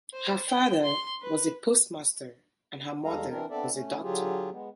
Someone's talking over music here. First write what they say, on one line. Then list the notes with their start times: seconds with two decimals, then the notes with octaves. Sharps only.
Her father was a postmaster and her mother was a doctor.
0.13 C5
0.49 G5
0.83 C6
1.22 B4
3.04 E2 G3 G#3 A4 F5 A#5
3.29 E3 C4 D4 A#4
3.50 B3 C4 D4 A4 D5 E5
3.71 A3 C#4
4.02 D3 F#3 F4 G4 G#4
4.52 G#3 B3